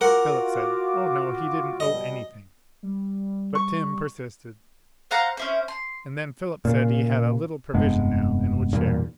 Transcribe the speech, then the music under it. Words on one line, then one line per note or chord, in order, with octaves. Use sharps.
Philip said, Oh, no, he didn't owe anything; but Tim persisted, and then Philip said he had a little provision now, and would share.
F4 F#4 A#4 F#5 D6
B2 G3 D#5
G3
C#6
C5 F5 F#5 A#5
C#4 E4 C5
C6
A#2 C#3
F1 G2 G#3 B3
B1 E2 G2 A#2